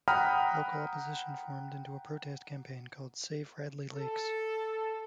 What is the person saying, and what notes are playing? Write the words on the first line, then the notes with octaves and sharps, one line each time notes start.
Local opposition formed into a protest campaign called Save Radley Lakes.
F#5 G5 A#5 B5 D#6 F6
A4